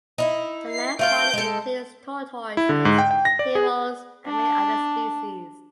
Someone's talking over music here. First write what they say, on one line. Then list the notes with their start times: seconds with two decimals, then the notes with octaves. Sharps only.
The land fauna includes tortoises, herons and many other species.
0.18 D#4 E4
0.70 C7
0.99 A3 F4 F5 G6 D7
1.33 G#3 A4
2.57 E4
2.69 D3
2.85 G#2
2.98 G5
3.11 G5
3.25 A#6
3.39 D5
3.55 G#4
4.26 D4 A5